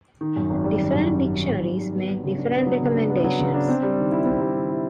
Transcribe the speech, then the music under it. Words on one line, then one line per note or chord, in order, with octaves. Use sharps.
Different dictionaries make different recommendations.
D#3
F#2
G#1
G3
D#3
F#2
G#1
G3
D#3
F#2
G#1
G3
B3
F#3
C#3
D4
B3
F#3
C#3
D4
B3
F#3
C#3
D4
C4
G3
D#3
E4
C4
G3
D#3
E4